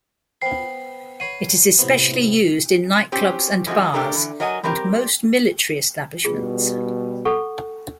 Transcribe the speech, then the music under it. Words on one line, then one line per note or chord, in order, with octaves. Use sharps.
It is especially used in nightclubs and bars, and most military establishments.
B3 B4 C5 G5 C7
B4 C#5 F#5 C7 D#7
A2 C3 B3
C4 C#4 G4
E3 F3 G#3 A3 C4 F#4
A3 D4 G4 A4 A#4
D3 E3
F#3 A#4 D#5 F#5 G#5
G3 C4 G4 A#4
B2 G3 F4 G#4
A4 F#5 C#6